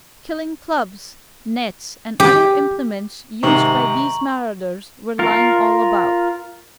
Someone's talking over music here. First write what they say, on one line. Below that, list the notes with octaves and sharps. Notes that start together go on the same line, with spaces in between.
Killing clubs, nets and other implements used by these marauders were lying all about.
G4
G#2 C3 D#3 A#5 C#6 F#7
F4 A#4